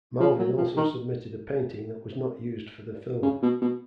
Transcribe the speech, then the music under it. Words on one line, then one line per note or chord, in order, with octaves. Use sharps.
Malvin also submitted a painting that was not used for the film.
F3
F#3
F3
D#3
C#3
B2
B2